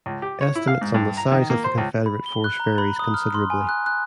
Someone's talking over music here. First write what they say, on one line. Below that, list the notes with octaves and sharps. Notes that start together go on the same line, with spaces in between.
Estimates on the size of the Confederate force varies considerably.
C#2
G4
C#5
E4
F5
G#2
G2
A#5
D#3
A#3
C5
C#2
B5
G7
F#6
A#5
B5
D#6
F6
C6
G#5
F#6
F#6